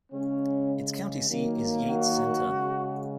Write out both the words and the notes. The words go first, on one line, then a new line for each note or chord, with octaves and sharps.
Its county seat is Yates Center.
C#3 G#3 C#4
D#3 F#3 A#3
F#4
C#3 G#3